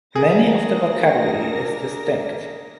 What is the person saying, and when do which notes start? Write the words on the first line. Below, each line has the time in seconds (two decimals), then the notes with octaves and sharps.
Many of the vocabulary is distinct.
0.15 D4 G#4 A#4 A#6